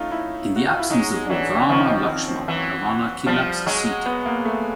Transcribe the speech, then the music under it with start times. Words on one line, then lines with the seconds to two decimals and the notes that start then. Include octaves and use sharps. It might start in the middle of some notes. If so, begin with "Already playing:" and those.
In the absence of both Rama and Lakshman, Ravana kidnaps Sita.
Already playing: A3 C#4 D#4 F4
0.11 E4
0.56 F#4
0.68 F4
0.79 E4
0.90 F#3 G#3 D#4
1.25 D4
1.30 E3 F#3 C#4
1.69 D#3 F3 C#4
1.89 C4
2.09 C4
2.28 C4
2.48 E3 F#3
3.26 F3 G3
3.66 F#3 G#3
4.06 B3
4.26 A#3
4.45 A3